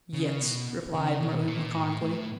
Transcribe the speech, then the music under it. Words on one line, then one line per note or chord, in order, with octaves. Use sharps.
"Yes," replied Merlin laconically.
C#3
B2
C#3
B2
A2
A#2
A2
A2